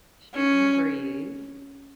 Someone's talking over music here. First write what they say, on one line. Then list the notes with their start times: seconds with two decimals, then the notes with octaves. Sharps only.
Shooting the breeze.
0.36 C#4